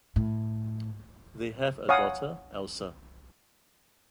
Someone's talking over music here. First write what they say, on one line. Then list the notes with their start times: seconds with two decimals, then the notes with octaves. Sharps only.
They have a daughter, Elsa.
0.16 A2
1.89 C#5 F5 F#5 G#5 D#6